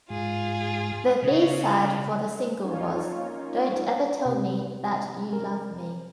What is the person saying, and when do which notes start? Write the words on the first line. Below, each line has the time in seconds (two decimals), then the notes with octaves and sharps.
The B-side for the single was "Don't Ever Tell Me That You Love Me".
0.10 G#2 F4 G#4
1.24 C#3
2.63 A#3 C#4 D#4 F4 C#5
4.26 C3
5.33 A#4